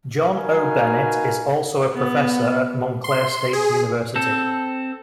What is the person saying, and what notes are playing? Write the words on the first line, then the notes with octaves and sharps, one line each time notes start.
John O. Bennett is also a professor at Montclair State University.
D#4 F#4 A#4 B4 F5 G#5
B3
C6
G#4
C4 A4